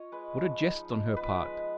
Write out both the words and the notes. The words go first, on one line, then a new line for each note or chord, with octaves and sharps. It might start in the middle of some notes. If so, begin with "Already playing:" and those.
What a jest on her part!
Already playing: F4 C#5 D#5
G#3 B4
F3
D#4
F3
B3 B4
G#3